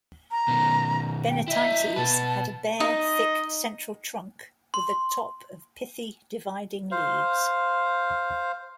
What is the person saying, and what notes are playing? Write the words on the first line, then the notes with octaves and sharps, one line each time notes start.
"Bennettites" had a bare, thick central trunk with a top of pithy, dividing leaves.
A#5
B2 D#3
G5
E4 D#5 E5
B2 B4 A5
D#4 D#5
C6
C5 F5